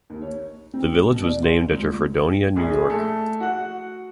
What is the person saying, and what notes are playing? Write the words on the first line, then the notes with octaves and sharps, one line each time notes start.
The village was named after Fredonia, New York.
D#2
C#5
C4
B2
D5
C6
C#2
A#1 G#4
A3
F#4 F#5